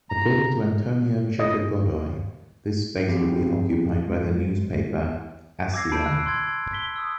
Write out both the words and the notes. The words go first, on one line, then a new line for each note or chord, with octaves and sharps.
According to Antonio Checa Godoy, its space would be occupied by the newspaper “Acción”.
A#5
D#5
F3 C4 G4 G#4
G#3
D6 E6 G#6 A#6 C7
A5 B5 G6 D7
E6 F#6 C7
C6 G#6
B6 G7
D#6 E6